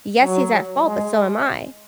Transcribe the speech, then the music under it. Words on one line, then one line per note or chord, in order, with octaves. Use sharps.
Yes, he's at fault, but so am I,
F#3
G#3